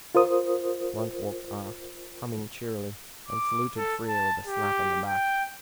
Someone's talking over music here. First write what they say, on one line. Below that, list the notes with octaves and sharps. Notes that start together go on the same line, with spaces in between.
Blunt walked aft, humming cheerily, and saluted Frere with a slap on the back.
F4 A#4 C5 D#6
D6
A4
A5
G4
G5